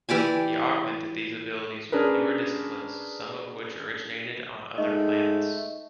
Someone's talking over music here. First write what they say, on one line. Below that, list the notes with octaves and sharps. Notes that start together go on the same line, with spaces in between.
He augmented these abilities with newer disciplines, some of which originated on other planets.
E3 G4 D5 G#5
C#4 D4 G#4 A#4 B4
G#2 A3 D#5